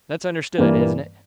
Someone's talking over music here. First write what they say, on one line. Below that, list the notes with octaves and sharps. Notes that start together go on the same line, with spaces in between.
"That's understood, isn't it?"
G2 E3 G3 A#3